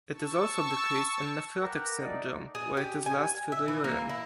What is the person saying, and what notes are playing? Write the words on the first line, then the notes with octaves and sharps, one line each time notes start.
It is also decreased in nephrotic syndrome, where it is lost through the urine.
A5 C#6 E6
G4 A#4 B4 F#5
A3 D#4 D5
G#4
G4
G#5
E5
E3
A#3
E4